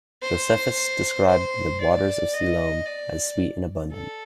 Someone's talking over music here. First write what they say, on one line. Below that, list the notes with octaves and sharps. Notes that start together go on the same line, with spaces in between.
Josephus described the waters of Siloam as sweet and abundant.
C5
C5
D5
D#5
D5
A4